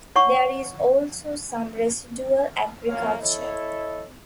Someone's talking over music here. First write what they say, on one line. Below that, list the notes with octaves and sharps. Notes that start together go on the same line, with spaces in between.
There is also some residual agriculture.
C#5 F#5 C#6
F#2 A#2 A#3 C#5 F5
E4 A4 C#5 D#5